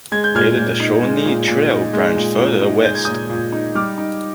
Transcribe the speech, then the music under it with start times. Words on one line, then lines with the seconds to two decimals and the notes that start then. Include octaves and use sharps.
Later the Shawnee Trail branched further west.
0.12 G#3 G#6
0.24 G6
0.35 A#2 F6 G#6
0.57 A#2
0.80 D#4
1.03 G#3
1.25 A#2
1.48 A#2
1.71 D#4
1.93 G#3
2.16 A#2
2.39 A#2
2.61 D#4
2.84 G#3 G6
2.95 G#6
3.05 A#2 D#6 G6
3.29 A#2
3.52 D#4
3.75 G3 D6 F6
3.98 D#4